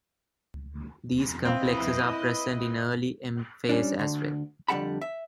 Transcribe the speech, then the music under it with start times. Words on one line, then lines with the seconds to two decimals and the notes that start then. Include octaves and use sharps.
These complexes are present in early M phase as well.
1.45 C4 E4 B4 D#5 F5
3.69 G3 C#4 D4
3.99 D2 D3
4.68 F2 D3 G3 F#5 A5 B5
5.02 E5